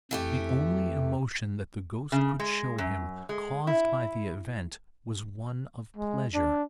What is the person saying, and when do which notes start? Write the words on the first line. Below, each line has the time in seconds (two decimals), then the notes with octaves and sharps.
The only emotion that the Ghost could show him, caused by the event, was one of pleasure.
0.11 F2 E3 A3 G4
2.12 C#3
2.40 G#3
2.78 F#2
3.29 G#3
3.67 E4
5.97 G#3
6.34 D4